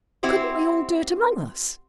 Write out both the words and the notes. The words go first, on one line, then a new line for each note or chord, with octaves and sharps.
"Couldn't we all do it among us?"
C4 E4 F#4 G4 C5